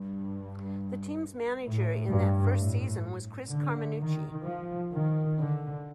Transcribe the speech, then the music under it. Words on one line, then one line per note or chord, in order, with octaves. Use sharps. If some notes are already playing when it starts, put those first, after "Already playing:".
The team's manager in that first season was Chris Carminucci.
Already playing: G2
A2
G2
A2
D3
D#3
F3
D#3
D3